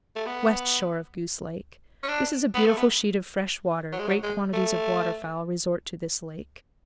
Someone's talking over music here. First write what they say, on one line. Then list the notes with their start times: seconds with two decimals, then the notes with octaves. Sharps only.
West shore of Goose Lake.--This is a beautiful sheet of fresh water; great quantities of water-fowl resort to this lake.
0.16 A3
0.26 B3
2.03 C#4
2.08 D4
2.54 B3
2.66 A3
2.77 B3
3.92 F#3
3.99 G#3
4.07 F#3
4.23 G#3
4.53 A3